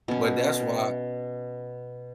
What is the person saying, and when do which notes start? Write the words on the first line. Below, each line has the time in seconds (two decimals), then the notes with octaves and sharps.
But that's why
0.08 B2 C#4